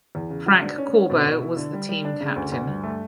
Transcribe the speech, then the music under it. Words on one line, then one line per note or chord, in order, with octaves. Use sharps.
Frank Corbo was the team captain.
E2
C#3
F#4
D4
C#4
C#4
B2
B2
E4
D3
G3
G3
D4
C#3
D2
D2
G2
A3